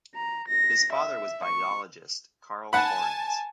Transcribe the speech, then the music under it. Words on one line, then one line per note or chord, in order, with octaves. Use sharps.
His father was biologist Carl Correns.
A#5
A#6
E5
C#6
F#5 G#5 A5 B5